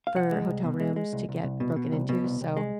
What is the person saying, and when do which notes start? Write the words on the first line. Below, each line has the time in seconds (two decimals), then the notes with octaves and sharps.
for hotel rooms to get broken into, so,
0.07 F5
0.16 C2 F#5
0.32 G#3
0.48 C2
0.64 B2
0.80 G#3
0.96 G#3
1.13 C2
1.29 C2
1.44 C2
1.60 B2
1.76 B2
1.92 C2
2.09 B2
2.24 C2
2.41 C2
2.57 G#3